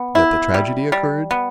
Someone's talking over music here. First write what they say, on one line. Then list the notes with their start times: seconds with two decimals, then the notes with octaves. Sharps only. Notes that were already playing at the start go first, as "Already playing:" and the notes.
"That the tragedy occurred?"
Already playing: B3
0.15 E4
0.54 G3
0.92 G3
1.31 B3